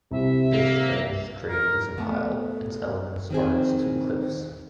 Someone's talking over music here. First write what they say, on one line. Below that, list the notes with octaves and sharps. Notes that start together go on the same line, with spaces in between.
This strange strait is a pile; its elements are its two cliffs.
C2 C3 E5
A#3
A#4
A3 B3
D#3 C4 G#4